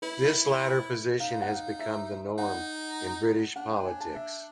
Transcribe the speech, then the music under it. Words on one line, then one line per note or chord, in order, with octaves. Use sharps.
This latter position has become the norm in British politics.
E4 B4
D#4 F5
F#5
F5
E5
D#4 F#5
D4 F#5
G5
G#5
A5
E5